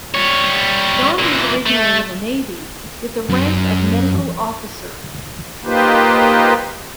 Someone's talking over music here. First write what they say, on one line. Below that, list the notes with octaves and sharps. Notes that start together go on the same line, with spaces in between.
John was originally in the navy, with the rank of medical officer.
G3 C#5
A#2 E3
A3
F#2
A#3 D#4 F4 G4 B4 C5